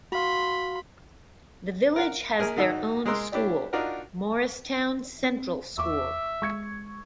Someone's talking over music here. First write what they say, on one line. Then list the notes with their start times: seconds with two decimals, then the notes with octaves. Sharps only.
The village has their own school, Morristown Central School.
0.12 F#4 F5 B5 C6
1.96 A#4 F#5
2.39 A#1 G#4 A#4 G#5
2.56 G#2 D#3 D#4 F#4 A5 E6
3.06 G#3 G#4 A#4 C6 E6 F#6
3.32 C#4 D4 E4 G4 D5
3.73 D4 D#4 F4 F#4 A#4
5.24 C4
5.78 E2 E5 C#6 D6 E6
6.42 G#3 C#6 G#6 C#7